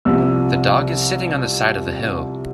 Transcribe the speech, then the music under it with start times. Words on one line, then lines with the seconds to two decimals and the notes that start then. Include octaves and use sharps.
The dog is sitting on the side of the hill.
0.05 C2 C3 F3 E6